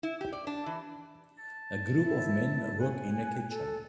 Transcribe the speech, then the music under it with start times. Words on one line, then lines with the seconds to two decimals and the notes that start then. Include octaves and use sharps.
A group of men work in a kitchen.
0.03 E4
0.21 G4
0.32 D5
0.47 D4
0.66 E3
1.38 A5
2.01 E4
2.80 F#5 G#5
3.51 A4